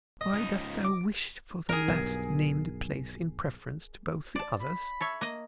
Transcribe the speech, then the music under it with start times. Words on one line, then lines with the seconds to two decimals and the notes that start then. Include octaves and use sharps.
"Why dost thou wish for the last-named place in preference to both the others?"
0.21 D#5
0.34 C#2 D#4
0.85 D6
1.69 G#4 A#4
1.88 B1 G2
4.36 D5 A5
4.60 B5
5.01 A4 C#5 E5
5.21 A#3 D#5